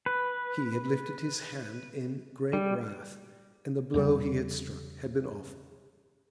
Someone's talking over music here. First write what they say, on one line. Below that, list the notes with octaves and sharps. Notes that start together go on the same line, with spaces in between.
He had lifted his hand in great wrath, and the blow he had struck had been awful.
B4
G3
E2 C#3 G3